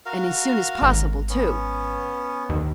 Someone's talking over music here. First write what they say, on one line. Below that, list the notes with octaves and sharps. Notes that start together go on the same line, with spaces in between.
"And as soon as possible, too."
F#4 A#4 F5
G#1
B3 C#4
D#2